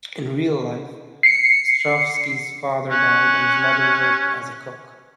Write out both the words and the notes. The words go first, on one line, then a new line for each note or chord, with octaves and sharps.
In real life, Ostrovsky's father died, and his mother worked as a cook.
C7 C#7
C#4 F#6